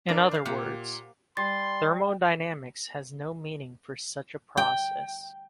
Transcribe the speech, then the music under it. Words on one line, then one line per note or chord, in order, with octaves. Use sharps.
In other words, thermodynamics has no meaning for such a process.
D4 A#4 D5
C5 F5
A#2 A#3 G4 F#5
G3 C6 A6
G5